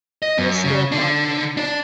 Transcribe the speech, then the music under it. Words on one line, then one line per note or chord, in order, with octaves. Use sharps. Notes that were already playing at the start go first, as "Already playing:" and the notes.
He is still a toddler.
D#5
F#2
C#3
D3 D4
D4 D5